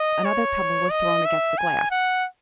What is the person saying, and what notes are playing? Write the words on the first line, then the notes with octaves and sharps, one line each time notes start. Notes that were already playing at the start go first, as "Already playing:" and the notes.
Another pebble was thrown against the glass.
Already playing: D#5
C#5
D#5
E5
G#5
F#5